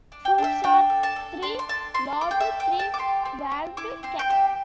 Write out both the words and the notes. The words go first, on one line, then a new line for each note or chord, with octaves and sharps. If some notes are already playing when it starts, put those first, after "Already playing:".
Fruits are three-lobed, three-valved capsules.
D4
G5
D4
E5
D4 G5
A4
A5
A4
D4 C6
C6
A4 A5
A4 C6
A4 D6
G5
E5
A4
G5
A4
A5
D6
G4 C6
C4
C4
E4 D6
C4 C6
G5
G4 E5